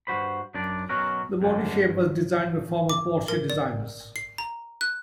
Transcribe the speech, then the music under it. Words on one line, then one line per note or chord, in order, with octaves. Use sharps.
The bodyshape was designed by former Porsche designers.
G2 F#4 C5 B5
F#2 D4 D5
B2 F#3 C#4 F#4 A#4
F#2 D3
G2
D6
A#4
D5
C7
A#5
F#6